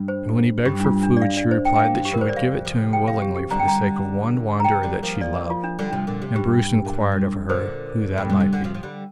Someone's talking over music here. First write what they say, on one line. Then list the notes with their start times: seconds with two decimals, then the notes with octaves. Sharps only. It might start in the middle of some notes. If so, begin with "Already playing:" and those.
And when he begged for food she replied that she would give it to him willingly for the sake of one wanderer that she loved; and Bruce inquired of her who that might be.
Already playing: G2
0.08 C5
0.65 G2 G4
0.80 D4
0.84 F4
1.03 D4
1.17 D5
1.22 F5
1.37 D5
1.51 C5
1.65 G5
1.76 G5
1.79 A#2 F5
1.98 G2
2.05 G4
2.11 F3 A#4
2.17 D3 G3 C5
2.29 D5
2.36 F2 F5
2.65 C3 F3
2.93 G5
3.08 F5
3.22 G4
3.36 G4
3.50 D3 G3 A#5
3.60 G5
3.68 A#5
4.60 A#5
4.64 C3 F3 G5
4.83 D3 G3
5.03 F3 A#3
5.21 D5
5.50 F4
5.64 D4
5.79 D3 G3
5.91 C3 F3 D4
6.07 A#2 D3
6.22 C3
6.36 G2 G4
6.85 A#2
6.93 G2
7.12 A#2
7.49 A#2 D3 C5
8.18 G2
8.30 A#2
8.40 C3
8.53 D3
8.64 C3 F3
8.75 F3
8.83 D3 G3